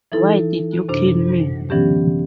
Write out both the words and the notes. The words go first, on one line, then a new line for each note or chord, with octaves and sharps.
Why Did You Kill Me?
E3 D#4 E4 A4
F#2 C3 D4 C5
D3 E3 F#3 B3 C#4 G4